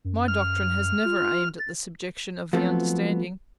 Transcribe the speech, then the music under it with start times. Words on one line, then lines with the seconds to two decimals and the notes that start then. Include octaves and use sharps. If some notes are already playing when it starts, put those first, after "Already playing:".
My doctrine has never aimed at the subjection of the understanding.
0.05 F#2
0.28 F6
1.05 F4
1.59 A6
2.53 F3 F#3 A3 B3 C4 F4